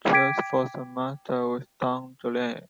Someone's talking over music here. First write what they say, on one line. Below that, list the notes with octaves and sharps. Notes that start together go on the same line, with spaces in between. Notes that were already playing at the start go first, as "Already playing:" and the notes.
Choi's first master was Dong Ju Lee.
G5 D6 G#6 B6 D7